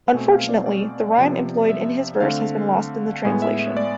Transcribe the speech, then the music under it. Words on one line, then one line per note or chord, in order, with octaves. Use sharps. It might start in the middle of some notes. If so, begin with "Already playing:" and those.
Unfortunately, the rhyme employed in his verse has been lost in the translation.
B2 A3 C4 G#5
F5
D5
D5
C3 F3 B3
E5
D3 A3 C4 F5
A2 G#3 B3 G#5
E5
E5
D5